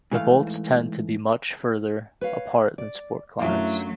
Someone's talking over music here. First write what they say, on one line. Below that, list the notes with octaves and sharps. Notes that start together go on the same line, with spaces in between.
The bolts tend to be much farther apart than sport climbs.
G#2 E3 A3 F5
B4 C#5 F5
D5
F#2 F#3 A3 D4 E4 F4